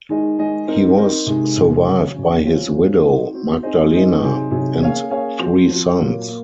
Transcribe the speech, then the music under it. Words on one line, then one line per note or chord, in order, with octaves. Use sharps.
He was survived by his widow, Magdalena, and three sons.
D#3 G#3 D#4 G#4 D#5
D#3 G#3 D#4 G#4 D#5
C4 D#4 A#4 D#5
C4 D#4 A#4 D#5
C3 D#3 G#3 D#4
C3 D#3 G#3 D#4
C#3 F#3 C#4
C#3 F#3 C#4
F#3 C#4 F4 C5
F#3 C#4 F4 C5
C4 D#4 F#4
C4 D#4 F#4
C4 D#4 G#4 C5 D#5
C4 D#4 G#4 C5 D#5
C3 F#3 C4 D#4 G#4
C3 F#3 C4 D#4 G#4
A#3 C#4 G#4 C#5 F5
A#3 C#4 G#4 C#5 F5
F3 C4 F#4
F3 C4 F#4
A#2 F#3 A#3
A#3